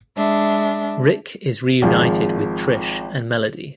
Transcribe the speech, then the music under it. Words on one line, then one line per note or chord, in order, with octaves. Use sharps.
Rick is reunited with Trish and Melody.
G#3 D4 E5
G#1 F3 G#3